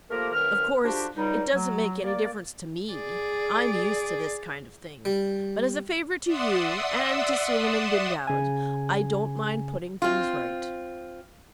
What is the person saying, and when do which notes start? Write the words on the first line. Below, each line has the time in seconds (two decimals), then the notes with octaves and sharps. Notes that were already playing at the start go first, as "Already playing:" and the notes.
Of course it doesn't make any difference to me--I'm used to this kind of thing--but as a favour to you and to Suleiman-bin-Daoud I don't mind putting things right.'
0.11 F3 A3 A#3 G4 A#4
0.33 C2 F#2 D#3 B4 F6
0.84 D3 F3 D4 F#4 G4
1.16 C#2 G3 D#4
1.54 F#3
2.02 A#3 D5
2.92 G#4 D5
5.05 G3
6.24 D5 E5 F#5 C6 D#6 E6
8.27 C#3 G#5
10.02 C4 F4